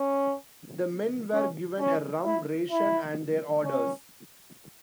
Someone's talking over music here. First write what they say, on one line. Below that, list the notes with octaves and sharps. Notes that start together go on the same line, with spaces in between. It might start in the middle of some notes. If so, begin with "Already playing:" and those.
The men were given a rum ration and their orders.
Already playing: C#4
C#4
C#4
E4
E4
C#4